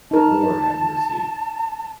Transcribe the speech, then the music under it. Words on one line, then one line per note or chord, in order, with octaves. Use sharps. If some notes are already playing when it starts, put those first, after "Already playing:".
Lord, have mercy.
D#4 A#4 A5